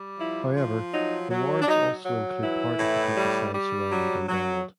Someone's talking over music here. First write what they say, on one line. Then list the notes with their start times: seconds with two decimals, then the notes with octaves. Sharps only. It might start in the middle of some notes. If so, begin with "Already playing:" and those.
However, the wards also include part of the countryside surrounding Dundonald.
Already playing: G3
0.19 F3 E4
0.56 F3
0.94 F#3 D#4
1.31 F#3
1.62 D4
1.68 F#3 D#4
2.05 F#3
2.43 E3 E4
2.79 A2
3.17 G3
3.54 G3
3.91 F#3
4.28 F#3